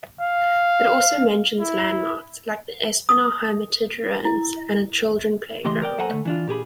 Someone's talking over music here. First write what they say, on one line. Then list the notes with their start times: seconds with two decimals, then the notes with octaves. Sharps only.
It also mentions landmarks like the Espinar Hermitage Ruins and a children playground.
0.21 F5
1.60 E4
3.09 D#6
4.25 E4
5.65 C#2 E3 A3 G4 D#5 C6
5.82 A#4 D5 G5
5.98 F#2 A4 C5 F#5 G#5 A#5
6.09 D2 G2 A3
6.25 E3 D4 F4
6.47 A#2 G4 G#4 B5